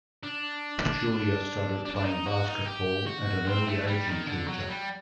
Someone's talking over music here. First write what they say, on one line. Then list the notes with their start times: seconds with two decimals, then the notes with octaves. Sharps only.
Pachulia started playing basketball at an early age in Georgia.
0.24 D4
1.85 D4
1.96 D4
2.05 D#4
2.26 F#4
2.45 D#4
2.66 G4
3.07 F#4
3.47 C4
3.67 A3
3.87 G3
4.08 D#3
4.27 D3
4.48 F#3
4.68 G3